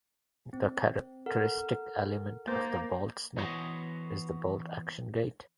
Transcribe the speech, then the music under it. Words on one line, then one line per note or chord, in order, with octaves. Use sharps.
The characteristic element of the bolt snap is the bolt action gate.
C4
A4 A#4 F#5
A#3 C5 G6 A6
E3 B3 F#4 C5 C#5 D#5